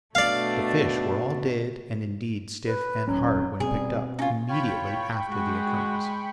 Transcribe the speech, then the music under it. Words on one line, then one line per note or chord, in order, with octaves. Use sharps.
"The fish were all dead, and indeed stiff and hard, when picked up, immediately after the occurrence."
B2 A3 D4 D5 F5
B4
D#1 G#1 F#3 C#4
B2 G3 C4 G#4
C#4 D#4 F4
F4 C#5 G5 B5 C#6
G#3 F#4